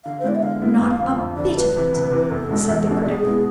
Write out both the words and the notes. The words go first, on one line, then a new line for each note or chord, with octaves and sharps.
"Not a bit of it," said the Critic.
D3 F5
C5
G#3 B3 E4 D5
E5
D3 F5
G#3 B3 E4
F2
D3 F3
F2
D3 F3 D5
D2 B4
C3 E3
D2
C3 E3
E2 A4
B2 G#3 D4
E2
B2 G#3 D4
B2 G#4
G#3 B3 E4